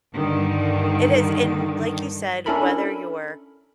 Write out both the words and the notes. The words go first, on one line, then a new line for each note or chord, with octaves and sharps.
It is, and like you said, whether you're,
G2 D3 D#3
C#4 D4 E4 A4 A#4 B5